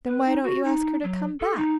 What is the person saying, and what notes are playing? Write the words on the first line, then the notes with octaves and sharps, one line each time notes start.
"Then why don't you ask her to come back."
B4
D#4
F#4
D#4
F#3
A4
D#4